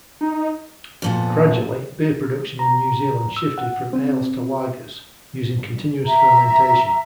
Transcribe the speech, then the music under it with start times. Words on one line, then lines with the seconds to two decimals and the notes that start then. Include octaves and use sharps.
Gradually, beer production in New Zealand shifted from ales to lagers, using continuous fermentation.
0.21 D#4
1.02 F2 A#2 B3
2.59 A#5
3.37 E6
3.58 F#5
3.93 C4
6.05 E5 A#5